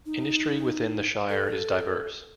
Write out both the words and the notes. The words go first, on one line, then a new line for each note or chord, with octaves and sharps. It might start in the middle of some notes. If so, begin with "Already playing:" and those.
Industry within the shire is diverse.
D#4
A4